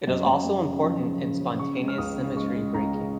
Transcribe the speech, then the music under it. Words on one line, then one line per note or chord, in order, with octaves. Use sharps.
It is also important in spontaneous symmetry breaking.
F#2 D#5
F#2
F#2
C#3
F3
C#3
C#3
C#3
C#3 C#6
G#3
F6
C#2 D#6
C#3
G#3 C#6
G#3
C#2 A#5
C#3